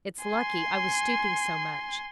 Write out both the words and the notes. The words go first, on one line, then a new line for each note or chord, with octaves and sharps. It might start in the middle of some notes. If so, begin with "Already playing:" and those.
It's lucky I was stooping so much.
G#5 C6